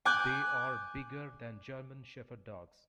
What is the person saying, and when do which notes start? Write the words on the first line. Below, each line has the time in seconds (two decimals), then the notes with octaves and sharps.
They are bigger than German Shepherd Dogs.
0.05 G#5 D6 F#6 G6